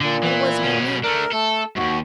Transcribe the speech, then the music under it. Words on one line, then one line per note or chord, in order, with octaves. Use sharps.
What was her name?'
A#2 D3
E3
B2 C#4
A3 D4 A#4
A3 A4
D#2 G#2 F#4